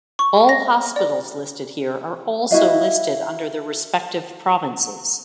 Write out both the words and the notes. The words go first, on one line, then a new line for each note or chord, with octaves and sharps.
All hospitals listed here are also listed under their respective provinces.
C#6
A#6
D5
E4 F#4 D#5 F5